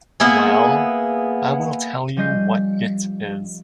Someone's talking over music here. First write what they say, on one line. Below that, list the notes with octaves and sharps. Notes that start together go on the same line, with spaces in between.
Well, I will tell you what it is.
A#3 B3 E4 G#4
F3 G3 C#4 D#5 G6 C7